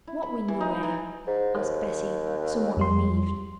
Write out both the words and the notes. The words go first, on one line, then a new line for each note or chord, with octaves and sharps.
'What win yo' wear?' asked Bessy, somewhat relieved.
E4
B5
E3
D#4
E3
G#2
D#2
F2 G3 C6